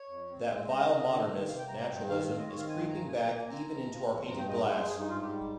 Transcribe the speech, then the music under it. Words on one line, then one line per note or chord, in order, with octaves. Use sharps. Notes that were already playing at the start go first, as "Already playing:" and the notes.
That vile modernist, naturalism, is creeping back even into our painted glass.
Already playing: C#5
F2
C4
G#3
C#3 D#5
C#3
D#3
D#3
C3 F5
G5
C3 A#5
A#5
G2 G5
D#3 F5
C4 F5
D#5
D#3 C#5
F5
G2 G#5
G2 A#5
A#3 G#5
A#5
A#3
G#5
C4 A#5
F3
F3
F3
G2 A#5
G5
G#3 D#5
G2 C#5
C5
G2 G#4
D#4
G#2 F4
G4
G3